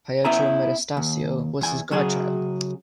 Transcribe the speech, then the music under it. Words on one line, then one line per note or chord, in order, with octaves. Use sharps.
Pietro Metastasio was his godchild.
B3 C#4 E4 E5 G#5 A#5
D#2
E2 G#5
C#3 F#3 F#4 G#4